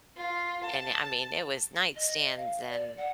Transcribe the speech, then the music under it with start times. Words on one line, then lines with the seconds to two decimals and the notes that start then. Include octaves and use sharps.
and, eh, I mean it was nightstands and
0.17 F4
0.64 A5
1.95 D#5
2.36 F5
2.69 D5
2.97 F#5